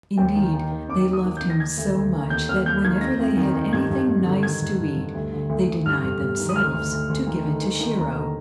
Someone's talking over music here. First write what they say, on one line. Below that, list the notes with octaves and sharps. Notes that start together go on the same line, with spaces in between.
Indeed, they loved him so much that whenever they had anything nice to eat they denied themselves to give it to Shiro.
D#2 G5
D#3
D#3
D#3
D#2 D6
D#2
D#6
D#3
G6
D#2
A#6
D#3 G#6
D2
D2
D#3
D#2 G6
D#2 F6
D#2 G6
D#3 G#6
F2 A#6
F2
D#3
D#3
G2 G#6
G2
G2
D3
D#3 G#6
G2
G2
G2
D2
D3
D2
D2
G2 F6
G2
G2
D#3
D#6
D2 F6
D2
D2
D2
D#3
D#3
D#3
D#3
D#2 A#5
D3